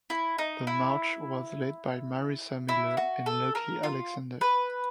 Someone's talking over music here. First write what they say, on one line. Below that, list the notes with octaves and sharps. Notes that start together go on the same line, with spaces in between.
The March was led by Marissa Miller and Luckie Alexander.
E4
D#4
E4
E4
F#4
A4
A#4
F4
B4